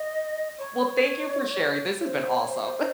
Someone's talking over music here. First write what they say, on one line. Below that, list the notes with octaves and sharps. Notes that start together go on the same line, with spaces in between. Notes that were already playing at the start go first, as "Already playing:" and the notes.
Well, thank you for sharing, this has been awesome.
Already playing: D#5
C#5
C#5
C5
C#5
C5